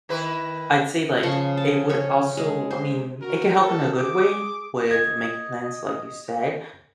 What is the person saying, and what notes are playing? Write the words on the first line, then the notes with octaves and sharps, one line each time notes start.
I'd say, like, it would also I mean, it can help in a good way with making plans, like you said,
D#3 E4 B4
C#3 F3 C6 C#6
A5
C#4 C#5
G#3
C5
F#4 A#4
A4 A#4
G#4 D6
D#5 G#6